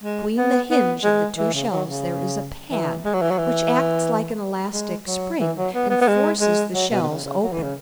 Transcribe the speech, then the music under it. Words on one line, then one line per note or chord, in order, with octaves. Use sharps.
Between the hinge of the two shells there is a pad, which acts like an elastic spring, and forces the shells open.
G#3
B3
B3
G#3
E3
C#3
F#3
C#3
E3
G#3
F#3
E3
F#3
E3
G#3
F#3
E3
F#3
B3
B3
B3
G#3
G#3
F#3
B2
B2
C#3
C#3
F#3
E3
C#3